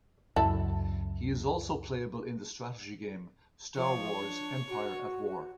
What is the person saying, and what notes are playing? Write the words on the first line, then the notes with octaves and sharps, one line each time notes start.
He is also playable in the strategy game "Star Wars: Empire at War".
C#2 F#2 E4 A4
F3 C#5
D4
F#4